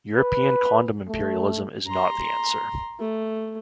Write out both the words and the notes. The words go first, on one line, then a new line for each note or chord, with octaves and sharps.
European condom imperialism is not the answer.
B4
A3
A#5 C6
A3